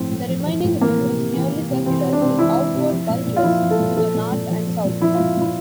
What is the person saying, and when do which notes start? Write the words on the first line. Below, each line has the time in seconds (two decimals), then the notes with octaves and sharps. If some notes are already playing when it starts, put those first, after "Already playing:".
The remaining rim is nearly circular, with outward bulges to the north and south.
Already playing: A2 F3 C4
0.11 A2
0.28 F3
0.46 F3
0.64 A2
0.81 E3 A#3
0.99 C3
1.16 C3
1.34 E3
1.51 E3
1.69 C3
1.86 E3 C4
2.04 C3
2.13 D4
2.21 C3 C4
2.28 D4
2.39 E3 E4
2.56 E3
2.74 C3
2.92 F3
3.09 A#2
3.27 A#2
3.36 F4
3.44 F3 E4
3.62 F3
3.71 A4
3.79 A#2
3.97 F3 A4
4.14 A#2
4.32 A#2
4.50 F3
4.67 F3
4.85 A#2
5.02 F3 E4
5.15 A#2 F4
5.37 A#2 E4